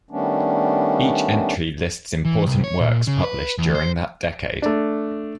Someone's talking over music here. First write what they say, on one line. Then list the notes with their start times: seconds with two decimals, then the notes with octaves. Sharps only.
Each entry lists important works published during that decade.
0.11 D#3 G3 A3 B3 C#4 D4
2.25 E3
2.46 C2
2.64 C#5
2.80 A#2
3.07 C#3
3.23 B4
3.58 E2
3.75 C5
4.62 A3 D4